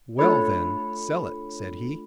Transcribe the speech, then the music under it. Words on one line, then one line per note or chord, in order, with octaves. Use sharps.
"Well then, sell it," said he.
A3 D4 F4 A4 C#5 B5